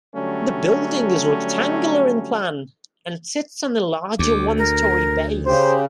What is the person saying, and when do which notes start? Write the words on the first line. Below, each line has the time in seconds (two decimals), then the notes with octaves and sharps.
The building is rectangular in plan and sits on a larger one-story base.
0.14 D3 F#3 G3 A3 C#4
4.19 D2 D6
4.58 A#4
5.46 C#3 G4 C5